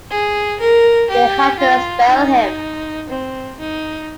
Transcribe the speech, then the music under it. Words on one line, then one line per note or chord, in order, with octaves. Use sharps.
They had to expel him.
G#4
A#4
G4
F4
D#4
C4
D#4